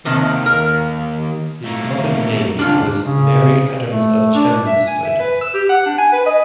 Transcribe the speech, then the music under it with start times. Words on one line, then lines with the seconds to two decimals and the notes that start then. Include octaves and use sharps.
His mother's name was Mary Adams of Chelmsford.
0.05 D#2 C3 D#3 A5
0.46 A#4
1.64 A3 A#3
2.59 C#2 D4 F4
3.03 C#3
3.92 A3
4.35 D4
4.66 E5
4.87 G#5
5.04 E5
5.19 B4
5.41 E6
5.54 G4
5.69 F#5
5.86 D4
5.98 G#5
6.12 B4
6.26 D#5